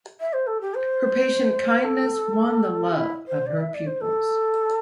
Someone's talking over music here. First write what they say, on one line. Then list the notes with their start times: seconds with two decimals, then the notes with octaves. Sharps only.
Her patient kindness won the love of her pupils.
0.20 E5
0.33 C5
0.47 A4
0.61 G4
0.74 C5
1.83 A4
2.92 E4
3.28 C5
3.46 D5
3.60 E5
3.74 D5
3.86 C5
4.01 A4